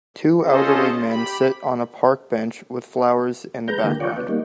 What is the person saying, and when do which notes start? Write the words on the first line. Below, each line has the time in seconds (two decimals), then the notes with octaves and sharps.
Two elderly men sit on a park bench, with flowers in the background.
0.42 C#4 F4 G#4 A4 C5 D#5
1.07 G4 B5
3.68 G#3 B4 A#5 G6
3.84 D3 E3 A#3 G4
4.00 F4 C#5 D5 F#5 G5
4.17 B3
4.28 G3 A#3 D#4